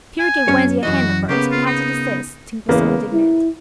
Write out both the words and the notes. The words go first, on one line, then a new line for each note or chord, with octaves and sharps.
Peter gave Wendy a hand at first, but had to desist, Tink was so indignant.
G#5
F#2 C#4 C#5
F#2 E3 F#4 D#5
C#3 A#3 B3 G4
F4
D#4
E2 C#3 A#3 B3
E4